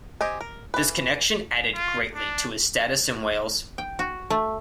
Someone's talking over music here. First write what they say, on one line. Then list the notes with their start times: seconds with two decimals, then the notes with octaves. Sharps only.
This connection added greatly to his status in Wales.
0.21 C4 G4 D#5 G#5
0.41 A#4
0.74 E3 B4
1.75 F4
2.14 D4
3.78 G5
3.99 F#4
4.30 A3